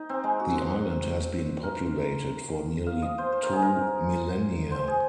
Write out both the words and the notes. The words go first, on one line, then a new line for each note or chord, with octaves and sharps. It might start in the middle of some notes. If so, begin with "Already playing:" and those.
The island has been populated for nearly two millennia.
Already playing: D#4
C4
G#3
F#4
A#4
F5
D#5
C5
C5
A#4
G#4
A#4
C5
G#4